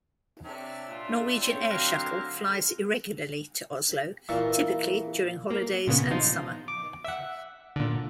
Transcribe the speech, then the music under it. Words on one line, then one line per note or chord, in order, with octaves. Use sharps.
Norwegian Air Shuttle flies irregularly to Oslo, typically during holidays and summer.
C3 D4 C#5 E5
A#2 F4
C4 A4 C#5
D3 F#3 F5 F6 F#6 A#6
A#2 E3 A#4 E5 A5 C#6
A#3
A#2 C#3 B3
F3 D#4 F4
D6
E5 F#5
A#2 D3